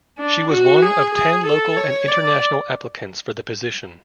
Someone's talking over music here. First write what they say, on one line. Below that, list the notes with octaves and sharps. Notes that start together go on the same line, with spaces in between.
She was one of ten local and international applicants for the position.
D4
F#4
G#4
G#4
A4
C#5
D5